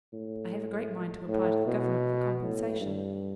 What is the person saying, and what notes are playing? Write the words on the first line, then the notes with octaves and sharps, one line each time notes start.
I have a great mind to apply to the Government for compensation.
A2
A2
B2
A2
G2